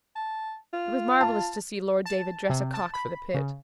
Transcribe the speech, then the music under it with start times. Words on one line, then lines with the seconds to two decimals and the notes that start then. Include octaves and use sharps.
It was marvellous to see Lord David dress a cock for the pit.
0.15 A5
0.73 F4
1.21 A5
2.06 A5
2.50 C3
2.74 A5
2.94 B5
3.34 C#3